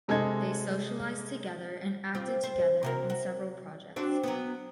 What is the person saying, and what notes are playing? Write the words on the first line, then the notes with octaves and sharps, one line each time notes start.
They socialized together and acted together in several projects.
C3 G#3 A4 D#5 G#6
C4 F4 G4
C5
C3 F#4 A#4
F#4
C4 D4 F#4
F#3 B3